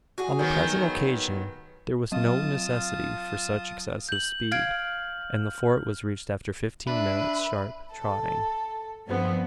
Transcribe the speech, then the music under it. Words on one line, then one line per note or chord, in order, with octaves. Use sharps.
On the present occasion there was no necessity for such excessive speed; and the Fort was reached after fifteen minutes' sharp trotting.
F#4 G#4
D#3 F#3 B3
F#3 F4 A5 D#6
G6 F#7
F5 F6 G#6 D7
D4 B4 E5
A4
G2 F3 B3 C4